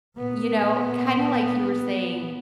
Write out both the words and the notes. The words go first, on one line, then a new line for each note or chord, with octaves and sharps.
you know, kinda like you were saying
A#2 B3